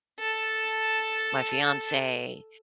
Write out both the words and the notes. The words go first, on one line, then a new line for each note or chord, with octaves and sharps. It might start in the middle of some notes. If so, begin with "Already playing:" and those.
my fiance.
A4 A5